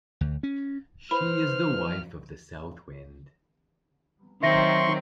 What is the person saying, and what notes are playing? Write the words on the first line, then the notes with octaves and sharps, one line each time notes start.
She is the wife of the south wind.
D2
C#4
E4 B4 C5 B5 F6
D#3 F#3 C4 E5 C6 C#6 A#6